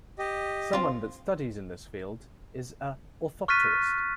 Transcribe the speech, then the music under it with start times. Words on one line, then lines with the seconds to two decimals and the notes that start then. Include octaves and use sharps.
Someone that studies in this field is a orthopterist.
0.19 G4 D#5
0.73 C4 F4
3.48 C#6 F6 F#6 A6 B6 D#7